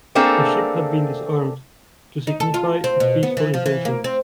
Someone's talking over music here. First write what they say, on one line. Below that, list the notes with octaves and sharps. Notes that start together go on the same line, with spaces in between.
The ship had been disarmed to signify its peaceful intentions.
A3 A#3 C4 D4 G#4 A4
D#4
A4
F4
C4
B2
B3
E3
F3
E3
A#3
C4